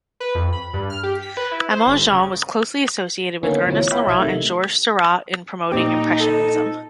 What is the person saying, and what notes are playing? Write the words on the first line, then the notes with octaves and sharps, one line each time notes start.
Aman-Jean was closely associated with Ernest Laurent and Georges Seurat in promoting impressionism.
B4
F2
B5
G2
F6
G4
B6
B4
E4
C5
G1
C#3
D3 D#3 A#3 B3 C#4
D2 B2 E3 F3 C#4
B4 C#5 E5 F5 G5 B5
B1 F#3 E4 E5 G#6
C3 D#3 A3
A#2 C4 D#4 G4
A4